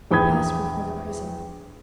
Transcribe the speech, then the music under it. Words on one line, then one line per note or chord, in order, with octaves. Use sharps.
He passed before the prison.
A#1 E2 G5 B5 D#6 G#6